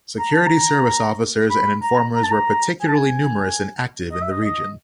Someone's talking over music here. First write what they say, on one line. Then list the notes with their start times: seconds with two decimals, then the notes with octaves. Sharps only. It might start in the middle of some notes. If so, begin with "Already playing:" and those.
Security service officers and informers were particularly numerous and active in the region.
0.19 A#5
0.33 A5
0.46 A#5
1.50 B5
1.82 A#5
2.15 A#5
2.23 A5
2.31 A#5
2.81 G#5
2.88 A5
2.95 G#5
4.12 D#5
4.21 E5
4.31 D#5
4.44 D#5